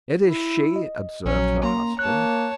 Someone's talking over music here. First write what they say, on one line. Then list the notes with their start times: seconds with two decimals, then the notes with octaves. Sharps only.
"It is she," observed her husband.
0.22 E4
0.76 D#5
1.25 A#1 F#3 C#4
1.64 A#3 A#5 C6
1.99 A#3 C#5 A5 F#6